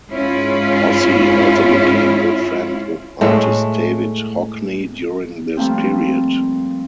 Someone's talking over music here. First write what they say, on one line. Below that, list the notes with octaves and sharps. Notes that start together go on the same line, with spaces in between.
Ossie also became good friends with artist David Hockney during this period.
G#2 C#4 E4 F4
A2 G#3 A3
F3 G3 A3 A#3 C4